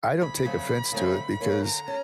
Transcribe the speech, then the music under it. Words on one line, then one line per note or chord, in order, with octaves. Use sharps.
I don't take offense to it because,
D2 B5
C#3 F#3 A3 C4
D2
C#3 F#3 A3 C4
D3
F#3 A#3 C#4
D3 A#5
C#4